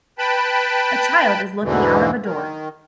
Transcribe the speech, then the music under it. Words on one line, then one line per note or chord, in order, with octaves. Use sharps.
A child is looking out of a door.
B4 G5 A5 B5
E2 G#2 B2 D3 E3
D#3